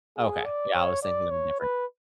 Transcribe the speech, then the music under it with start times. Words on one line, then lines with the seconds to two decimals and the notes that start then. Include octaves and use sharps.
Okay. Yeah, I was thinking of a different
0.17 G#4
0.45 D5
0.74 C#5
1.03 D5
1.31 C#5
1.60 B4